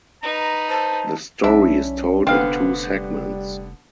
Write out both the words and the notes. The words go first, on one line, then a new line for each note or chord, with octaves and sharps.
The story is told in two segments.
D#4 B4 A#5
C5 A5
B1 C#4 D4 E4 E5
F1 D3 B3 C4 F5
G3